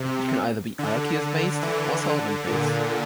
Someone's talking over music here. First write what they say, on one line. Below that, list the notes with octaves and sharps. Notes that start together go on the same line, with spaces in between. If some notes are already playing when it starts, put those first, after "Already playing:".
It can be either aqueous based or solvent-based.
Already playing: C3
D3
E3
D3
A#2